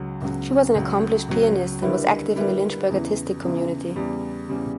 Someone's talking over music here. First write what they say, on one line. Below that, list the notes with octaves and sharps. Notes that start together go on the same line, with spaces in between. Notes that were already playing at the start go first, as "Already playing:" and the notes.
She was an accomplished pianist and was active in the Lynchburg artistic community.
Already playing: C#2 C#3 F#3
C#2 C#3 F#3
C#2 C#3 F#3
C#2 C#3 F#3
D3 G3 A#3 E4 B4
D3 G3 A#3 E4 B4
E2 C#3 E3
E2 C#3 E3
E2 C#3 G3
E2 C#3 G3